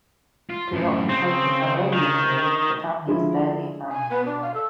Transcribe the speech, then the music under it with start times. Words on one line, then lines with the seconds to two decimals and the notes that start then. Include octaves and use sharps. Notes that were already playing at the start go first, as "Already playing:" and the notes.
Preoccupied with their own misery, the family is barely a family anymore.
0.50 F4
0.73 F#2 A2
1.09 C#3 C4
1.93 D#3
3.07 D3 F3 G#3 E4
3.92 G#5
4.10 B3
4.25 D4
4.42 F5
4.54 A4